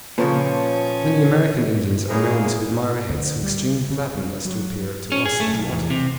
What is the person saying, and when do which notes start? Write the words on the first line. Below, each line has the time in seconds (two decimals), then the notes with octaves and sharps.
Many American Indians are known to admire a head so extremely flattened as to appear to us idiotic.
0.18 A#2 C#3 F3 C#4 A4 B4 C#5 F5
2.09 C#3 F#3 G#3 A#3 E4 G#4
3.10 D2
3.43 G3
3.90 C#3
4.15 G2
4.45 F#3
5.12 C#4
5.25 G#4
5.40 A3
5.53 B1
5.72 E2
5.90 C3